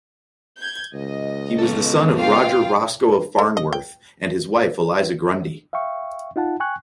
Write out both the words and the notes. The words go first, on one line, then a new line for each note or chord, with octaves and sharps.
He was the son of Roger Roscoe of Farnworth and his wife Eliza Grundy.
G6 G#6
C#2 D#5
B3 A4
F4 F5 G5
A3
D#5
G5
E5 F5 G5 C#6
D#4 F4 F#5 A5
G5 G#5 C#6 F#6